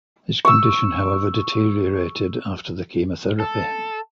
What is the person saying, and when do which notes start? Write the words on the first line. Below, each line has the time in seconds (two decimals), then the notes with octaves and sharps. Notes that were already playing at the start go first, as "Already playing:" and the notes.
His condition however deteriorated after the chemotherapy.
0.45 C#6 E6
3.40 A4